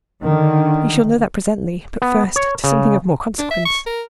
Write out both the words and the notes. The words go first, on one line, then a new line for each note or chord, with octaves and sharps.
"You shall know that presently; but first to something of more consequence."
D3 D#3
B3
C#5
C#3
D4
E5
C#6
A#4